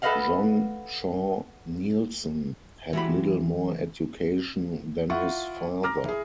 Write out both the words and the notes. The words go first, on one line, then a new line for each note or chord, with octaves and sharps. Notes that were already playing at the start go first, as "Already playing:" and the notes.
John Shaw Neilson had little more education than his father.
A4 B4 C5 D#5 F5 F#5
E3 G#3 E4 F#4 G4 B5
E4 F4 F#5 C#6
A#5 D6 F6 A#6
E4 G#4